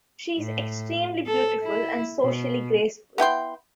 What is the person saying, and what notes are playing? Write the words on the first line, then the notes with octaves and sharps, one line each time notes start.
She is extremely beautiful and socially graceful.
A2
A4
E4
B2
B3 E4 G5 C6